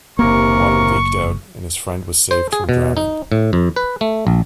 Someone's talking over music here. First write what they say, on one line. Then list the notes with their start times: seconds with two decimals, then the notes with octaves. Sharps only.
Water leaked out, and his friend was saved from drowning.
0.19 F#1 D#2 C3 A#3 A#4 C#6
2.31 C5
2.53 G#4
2.69 B2
2.97 D#4
3.32 A2
3.53 F2
3.76 B4
4.01 A3
4.27 A#1